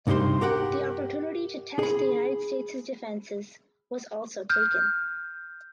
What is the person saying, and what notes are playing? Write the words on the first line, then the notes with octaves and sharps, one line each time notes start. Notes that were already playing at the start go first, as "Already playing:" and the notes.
The opportunity to test the United States defences was also taken.
C2 G2 D#4 G4 C5 C6
G4 A#4 F#5 G5
G#4 B5
F6 G6